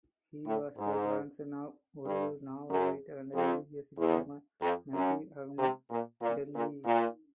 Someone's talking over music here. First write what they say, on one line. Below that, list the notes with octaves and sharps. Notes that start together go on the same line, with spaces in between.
He was the grandson of Urdu novel writer and religious reformer Nazir Ahmad Dehlvi.
A2
G#2
G2
F#2
F2
E2
F2
F#2
C3
A#2
A#2
A#2
A#2